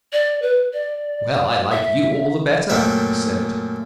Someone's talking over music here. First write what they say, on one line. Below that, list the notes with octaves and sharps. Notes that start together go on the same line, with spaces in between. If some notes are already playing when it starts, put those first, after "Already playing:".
"Well, I like you all the better," he said.
D5
B4
D5
E5
F#2 A#2 A3 C4 E5